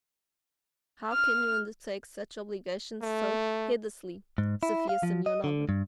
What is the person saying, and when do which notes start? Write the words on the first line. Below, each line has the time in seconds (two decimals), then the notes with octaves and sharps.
How can you undertake such obligations so heedlessly, Sofya Semyonovna?
1.13 F6
3.02 A3
4.38 G#2
4.63 E4
4.89 F5
5.03 F3
5.26 D#5
5.44 D3
5.69 G2